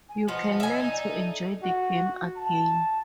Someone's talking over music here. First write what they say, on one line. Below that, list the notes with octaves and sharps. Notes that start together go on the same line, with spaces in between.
You can learn to enjoy the game again.
G#5
F3 B3 D#5
E5 G#5
D#4
D5
A4
F#4
A5